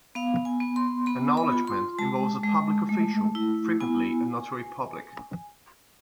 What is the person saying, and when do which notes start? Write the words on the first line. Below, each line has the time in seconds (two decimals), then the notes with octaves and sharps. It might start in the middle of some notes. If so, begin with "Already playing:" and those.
Acknowledgement involves a public official, frequently a notary public.
0.15 B3 F5
0.45 G#5
0.60 B3
0.76 C6
1.06 B3 B5
1.37 B5
1.52 F4
1.67 C6
1.99 G#3 A5
2.44 G#3
2.89 A3
3.35 E4
3.80 B3 G#5